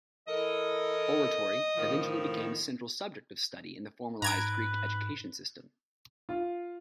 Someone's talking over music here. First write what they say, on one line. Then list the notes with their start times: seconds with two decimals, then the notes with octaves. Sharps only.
Oratory eventually became a central subject of study in the formalized Greek education system.
0.28 E3 A4 A#4 D#5
1.75 A2 D#3 F3
4.22 G#2 B4 A#5 G#6 D7
6.29 F4